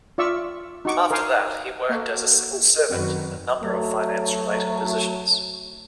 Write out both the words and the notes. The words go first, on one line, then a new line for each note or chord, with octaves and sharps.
After that he worked as a civil servant in a number of finance-related positions.
F4 D5 E5 C#6 E6
D#4 F#4 C#6 D6
A#4 C5 F5 G#5 D6
A#3 F#4 A4
F#2 D#3 F#3 C4 F#4 B4
F#3 A3